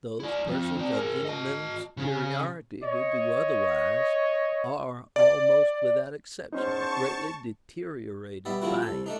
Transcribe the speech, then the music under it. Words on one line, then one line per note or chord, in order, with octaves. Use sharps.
Those persons of any mental superiority who do otherwise, are, almost without exception, greatly deteriorated by it.
E4 D5
F3 C4
C4 D5
G#4 A#4
D#5 A5
C#3 C#4
C#5 D#5
D5
E2 B3 C#4 D#4 C5 A5 C#6
G3 B3 D5 E5
F3 G3 A#3 C4 E4 F#4
C2 A4
A3 D4 D#4